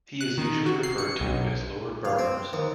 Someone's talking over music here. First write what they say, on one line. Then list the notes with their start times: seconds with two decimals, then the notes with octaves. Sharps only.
He is usually referred to as Lord Berners.
0.21 F#6
0.38 D#3
0.66 F#4
0.83 C7
0.98 C#7
1.20 B1
2.05 F5
2.19 C4
2.53 D#2